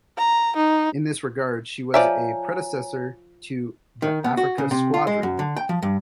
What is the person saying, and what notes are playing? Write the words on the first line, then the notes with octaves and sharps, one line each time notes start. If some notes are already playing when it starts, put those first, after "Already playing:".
In this regard she was a predecessor to the Africa Squadron.
A#5
D#4
F3 C#5 D5 E5 G#5 A#5
D#3
B3
F#4
C#3
C3
F4
G#3
F#2
D3
G5
F3
G2